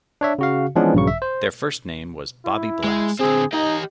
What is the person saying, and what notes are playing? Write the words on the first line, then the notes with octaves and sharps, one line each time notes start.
Their first name was "Bobby Blast".
D4 C#5 E5
C#3 F#4 F5
E3 F3 G#3 B3 C#4 D4
A#1 G2 C#3 F#3 C#6
E5
C5
E4
G#3
D3 C4 G#4
D#4 G4 D#5